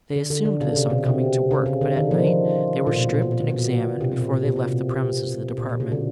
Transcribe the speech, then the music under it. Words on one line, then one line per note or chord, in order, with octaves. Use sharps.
They assumed this on coming to work, but at night they were stripped and examined before they left the premises of the Department.
D3
D3
D3
C#3
C3
B2
C3
C#3
C#3
D3
D#3
F3
F3
A#2
B2
A#2
B2
A#2
B2
A#2
B2
A#2
C3
B2
A#2
A#2
B2
C3
C3
A#2
B2
C#3
D3